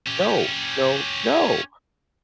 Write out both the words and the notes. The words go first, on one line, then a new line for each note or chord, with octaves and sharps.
No, no, no.
C#4 G4